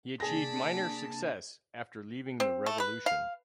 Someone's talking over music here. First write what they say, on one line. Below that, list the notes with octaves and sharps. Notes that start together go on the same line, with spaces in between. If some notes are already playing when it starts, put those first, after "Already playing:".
He achieved minor success after leaving The Revolution.
C3 A#3 D4 G#4 D5 A5 B5 A#6
C4
A3
B4
F5